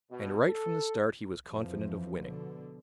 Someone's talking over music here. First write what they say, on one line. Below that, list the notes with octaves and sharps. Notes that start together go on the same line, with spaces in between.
And right from the start he was confident of winning.
B2
A4
F2 E3 F3
B2 D3